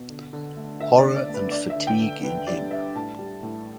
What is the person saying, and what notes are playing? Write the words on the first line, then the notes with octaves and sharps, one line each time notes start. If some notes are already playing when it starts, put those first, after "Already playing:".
Horror and fatigue in him.
Already playing: B2
D3
D3
A3
D3 E5
D5
D3
D5
A3
B4
D4 D5
E5
D3
G5
D3
D3 B4
G3 D5
G3 E5
A2 A5
G3
A2